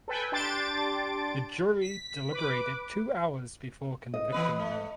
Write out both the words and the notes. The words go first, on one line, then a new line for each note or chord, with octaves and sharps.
The jury deliberated two hours before convicting her.
A4 B4 G5 G#5
D4 G4 A5 C6 A6 D7
B6
B4 D6
D#5
E3 B3 B4
A3